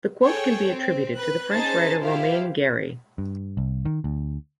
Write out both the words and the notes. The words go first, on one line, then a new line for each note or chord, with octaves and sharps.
The quote can be attributed to the French writer Romain Gary.
G#4 A4 C#5 G5
C4
B4 F#6
C#4 D#4 G#4 C5 A5 A6
E4 F4 G4 C5 F5
G2
C2
D#3
D2